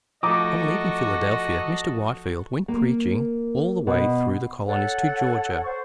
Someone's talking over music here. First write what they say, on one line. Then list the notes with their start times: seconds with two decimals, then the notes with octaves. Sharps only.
On leaving Philadelphia, Mr. Whitefield went preaching all the way through the colonies to Georgia.
0.23 F3 A3 F#4 A4 D#5 A#5 D6 D#6
2.68 A#3
3.87 B2
4.66 A4 C#5 F#5
5.64 C5 C#6